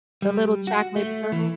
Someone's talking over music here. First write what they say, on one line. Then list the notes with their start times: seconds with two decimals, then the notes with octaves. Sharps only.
The little chocolate turtles?
0.22 G3
0.67 F#4
0.96 A3
1.32 E3